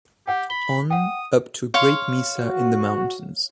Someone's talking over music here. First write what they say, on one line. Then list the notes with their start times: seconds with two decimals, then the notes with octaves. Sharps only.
On up to a great mesa in the mountains.
0.28 G4 F#5 G5
0.50 B5 G7
0.91 F#5 G5 D#6
1.74 C#5 F5 C6
2.39 F#4